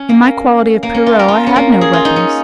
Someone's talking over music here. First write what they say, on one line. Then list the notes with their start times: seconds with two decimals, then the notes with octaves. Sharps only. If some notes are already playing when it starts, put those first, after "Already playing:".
In my quality of Pierrot I had no weapons.
Already playing: C#4
0.09 A#3
0.83 A#3
0.94 C#4
1.06 F4
1.19 A#4
1.28 F4
1.47 C#4
1.56 A#3
1.81 G#4
1.93 F4
2.05 D#4
2.16 C#4